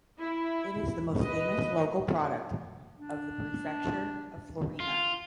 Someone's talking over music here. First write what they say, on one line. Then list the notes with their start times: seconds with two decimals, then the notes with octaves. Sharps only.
It is the most famous local product of the prefecture of Florina.
0.20 E4
1.23 B4 D#5
2.98 D4
4.80 F4